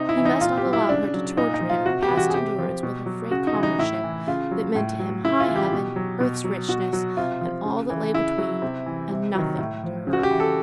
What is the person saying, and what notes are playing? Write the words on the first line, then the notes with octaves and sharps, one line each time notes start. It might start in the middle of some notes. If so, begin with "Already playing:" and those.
He must not allow her to torture him past endurance with her frank comradeship that meant to him high heaven, earth's richness, and all that lay between, and NOTHING to her.
Already playing: C3 D#4
E4
E3
D#4
A#2 F4
G4
F#3
E4
C#3 D4
F#3
A#2 D#4
D#4
F3
F4
C3 F#4
G4
E3
F#4
G#4
C3 G4
F3
B2
F#3
C#3 F#4
D#4
E3
D#4
A2 E4
E3
C#3 F4
F#3
A2
F#3
C#3 E4
F4
E3
G4
B2
F#3
B2
F#3
B2 F#4
F#3
C3 F4
F3
C#3
E3
C#3 E4
F#3
C3
E3
C3
D#3 F#3
A2
F3
C#3
F#4
G4
E3
A4